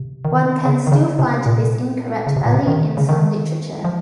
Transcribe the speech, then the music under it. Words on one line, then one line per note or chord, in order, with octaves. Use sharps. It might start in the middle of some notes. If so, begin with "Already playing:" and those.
One can still find this incorrect value in some literature.
Already playing: C3
D#3
C#3
D#3
C#3
C3
A#2
C#3
C3
A#2
C3
D#3
C#3
D#3
F3